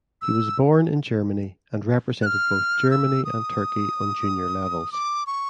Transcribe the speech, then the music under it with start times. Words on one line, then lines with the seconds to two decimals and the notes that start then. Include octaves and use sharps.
He was born in Germany and represented both Germany and Turkey on junior levels.
0.22 E6
2.23 F#6
2.26 F6
2.91 E6
3.25 D#6
4.92 D6
5.27 C#6